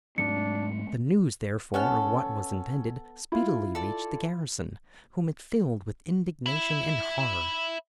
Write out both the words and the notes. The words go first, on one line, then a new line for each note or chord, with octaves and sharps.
The news, therefore, of what was intended speedily reached the garrison, whom it filled with indignation and horror.
G#2 F#3 G#3 A3 C4 D4 C#7
B3 C#4 A4 F6
E4 F4
A4 D5
E5 B5